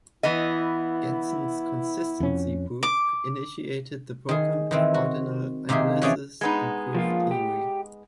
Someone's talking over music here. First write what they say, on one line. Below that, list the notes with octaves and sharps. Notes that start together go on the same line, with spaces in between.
Gentzen's consistency proof initiated the program of ordinal analysis in proof theory.
E3 B3 E4 D#5
F2 C#4
D6
D#3 G#4
D#3 E3 C4
F#4
C3 D#3 A#3 G4 G#4
E3 F3 C#4 G#4 A4 D5
G#3 B3 D#4
F3 A#3 F4
G4